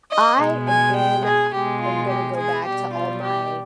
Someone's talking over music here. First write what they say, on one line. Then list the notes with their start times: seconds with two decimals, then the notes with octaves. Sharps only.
I again I um, I'm gonna go back to all my
0.12 D#5
0.40 B2 G#3
0.68 G#5
0.96 G5
1.25 G#4
1.53 B2 G#3 G4
1.81 F4
2.10 G4
2.37 G#4
2.66 B2 G3 G4
2.94 F4
3.23 G4